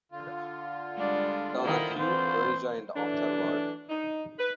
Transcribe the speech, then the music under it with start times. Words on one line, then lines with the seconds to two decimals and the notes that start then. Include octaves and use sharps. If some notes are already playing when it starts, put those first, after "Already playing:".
Donahue rejoined afterward.
0.12 D3 F4
0.97 G3 G#3 D4
1.62 D#3 E4 C5
1.99 E3 C4 C5
2.95 E3 F#3 A3 D4
3.89 D#4
4.38 B4